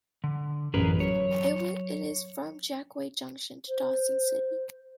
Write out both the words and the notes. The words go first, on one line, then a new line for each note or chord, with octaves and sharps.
It is from Jack Wade Junction to Dawson City.
D3
A1 F#2 G#4 A#4 B4
F#3 C#5
C5